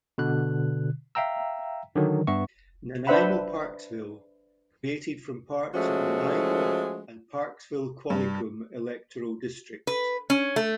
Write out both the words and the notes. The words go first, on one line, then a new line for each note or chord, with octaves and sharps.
Nanaimo-Parksville created from parts of Nanaimo and Parksville-Qualicum electoral districts.
B2 D3 F#6
E5 F5 G5 A#5 E6
D3 D#3 F#3
G2 B3 E5 C#6
D4 B4 C5 E5 F#5 B5
F3 G#3 A3 C#4 F#4
G2
B4
C#4
A3